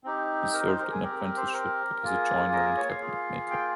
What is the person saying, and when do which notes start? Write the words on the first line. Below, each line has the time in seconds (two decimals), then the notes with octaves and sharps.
He served an apprenticeship as a joiner and cabinet maker.
0.04 C4 D#4 G4
0.54 A#4
0.67 C5
0.78 A#4
0.91 G#4
1.03 C4 G4 A#4
1.19 A#4
1.37 C5
1.53 A#4
2.03 A#3 F4 G#4
2.52 A#4
2.77 C#5
2.90 F5
3.01 A#3 F4 G#4
3.51 G5